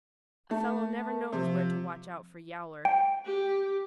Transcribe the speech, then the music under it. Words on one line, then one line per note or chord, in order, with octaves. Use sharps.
A fellow never knows where to watch out for Yowler.
A3
A#4
C3 F3
G5
G4